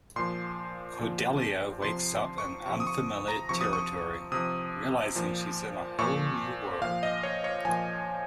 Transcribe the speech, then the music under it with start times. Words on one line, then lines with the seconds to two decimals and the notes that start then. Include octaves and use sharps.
Cordelia wakes up in unfamiliar territory, realizing she's in a whole new world.
0.16 A#2 F3 C6
0.99 A#2 F3
1.82 C3 F3 C6
2.38 C#6
2.65 C3 F3 C#6
2.80 D#6
2.87 C#6
3.28 A#5
3.49 C3 F3 C#6
3.61 D#6
3.73 C#6
4.32 C3 F3 D#6
5.15 A#2 F3
5.99 A#2 F3 C#6
6.81 A#2 F3 F5
7.03 D#5
7.23 C#5
7.44 C#5
7.65 A#2 F3 G#5